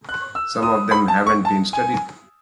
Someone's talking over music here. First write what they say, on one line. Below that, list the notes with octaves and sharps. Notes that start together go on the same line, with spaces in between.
Some of them haven't been studied.
F#6
E6
D#6
B5
A5
C#6
A5
G#5